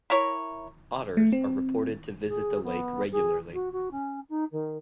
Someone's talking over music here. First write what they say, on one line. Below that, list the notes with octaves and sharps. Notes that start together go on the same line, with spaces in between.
Otters are reported to visit the lake regularly.
E4 A#4 C#5
A3
C4
G#4
B3
G#4
F#4
F#4
C#4
D#4
D#3